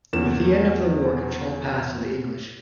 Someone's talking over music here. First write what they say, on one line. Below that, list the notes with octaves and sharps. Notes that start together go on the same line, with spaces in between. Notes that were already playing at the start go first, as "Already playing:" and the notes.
With the end of the war control passed to the English.
E2 F3 A#3 C#4 E7